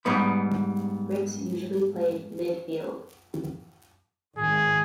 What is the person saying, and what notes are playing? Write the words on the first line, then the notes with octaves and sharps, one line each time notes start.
Rix usually played midfield.
G#2 G3 B3 B5
G#1 G#4